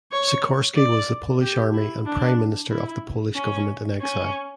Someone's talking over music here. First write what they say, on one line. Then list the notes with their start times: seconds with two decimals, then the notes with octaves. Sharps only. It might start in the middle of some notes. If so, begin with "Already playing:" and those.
Sikorski was the Polish Army and Prime Minister of the Polish government in exile.
0.11 C#5
0.76 D5
1.41 G4
1.73 E4
2.06 D4
2.70 E4
3.35 C#4
4.01 C#4